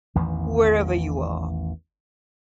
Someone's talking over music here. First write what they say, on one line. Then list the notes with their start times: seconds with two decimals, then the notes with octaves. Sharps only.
Wherever you are!
0.15 A1 E2 D#3 E3